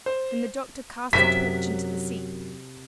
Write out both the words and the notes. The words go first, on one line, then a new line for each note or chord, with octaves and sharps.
Then the doctor cast the torch into the sea.
C5
F#2 C3 F#3 E5 B6